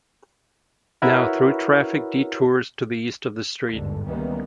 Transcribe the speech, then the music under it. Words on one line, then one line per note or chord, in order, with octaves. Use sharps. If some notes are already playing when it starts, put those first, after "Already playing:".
Now through traffic detours to the east of the street.
E4 F#4 A#4 B4 C#5 E5
G1 D#2 G#2 D3
C#2 D#3 E3 G3 A#3 B3